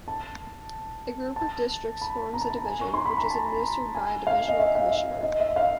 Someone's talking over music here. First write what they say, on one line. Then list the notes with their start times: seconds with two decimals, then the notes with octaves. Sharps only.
A group of districts forms a division, which is administered by a 'Divisional Commissioner'.
0.08 A5
1.36 A5
2.01 B5
2.34 A#5
2.42 A5
2.50 A#5
2.65 G#5
2.81 C#6
2.94 C6
3.06 B5
3.18 A#5
3.30 A5
3.95 G#5
4.27 F5
4.48 D#5
4.59 E5
4.75 F5
4.91 E5
5.23 D#5
5.40 E5
5.56 F5